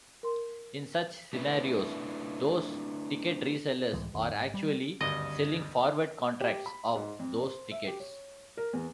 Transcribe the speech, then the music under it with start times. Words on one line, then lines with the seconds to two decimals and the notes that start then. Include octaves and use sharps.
In such scenarios, those ticket re-sellers are actually selling forward contracts of those tickets.
0.23 A#4 C6
1.33 A3 D4 E4 B4
3.93 C#2 A2 E3 G#3
4.13 A#1 F2 D#3
4.31 G#1
4.54 G3
5.01 G#1 D2 G2 D#5
6.40 G4
6.66 B5
6.96 G#2
7.19 F2
7.43 C5
7.71 E5
7.87 G4
8.00 C#5
8.57 A#4
8.73 E2